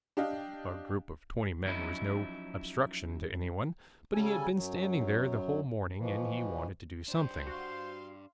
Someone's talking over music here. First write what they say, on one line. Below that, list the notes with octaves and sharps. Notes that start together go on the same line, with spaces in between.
A group of twenty men was no obstruction to anyone, but he had been standing there the whole morning, and he wanted to do something.
D4 G4 D#5 F5
F3 F#3 C#4 D#4 E4
C#3 G3 C#4 A4 G#5
F#2 F#3
B2 E3 F3
D4 G4 C5
F#4 F5 C6